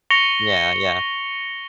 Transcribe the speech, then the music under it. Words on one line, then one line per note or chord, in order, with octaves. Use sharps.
Yeah, yeah.
C#6 A#6 C#7 F7 G7